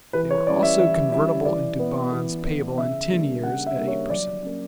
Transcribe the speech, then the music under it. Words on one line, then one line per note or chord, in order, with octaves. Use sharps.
They were also convertible into bonds payable in ten years at eight per cent. interest.
E3 B4
C#5
G3 C#4 E4 D5
E5
E3 E5
G3 C#4 E4 E5
E3 D5
B3 E4
E3
B3 E4
C#3 E5
G3 A#3 D4
C#3 F#5
E5
G3 A#3 D4
C#5
F#3 D5
A#3 C#4